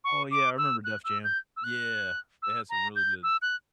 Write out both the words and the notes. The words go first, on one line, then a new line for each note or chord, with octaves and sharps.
Oh yeah, I remember Def Jam. Yeah. They had some really good
C#6
D6
E6
F#6
E6
G6
E6
F#6
E6
A#5
G6
E6
F#6